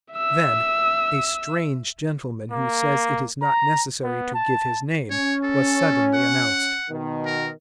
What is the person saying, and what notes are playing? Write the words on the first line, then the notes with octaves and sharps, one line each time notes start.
Then "a strange gentleman who says it is not necessary to give his name," was suddenly announced.
E5 E6
A#3
A#5
B3
A5
C#4 C#5
A4
F#5
B2 D#3
A#4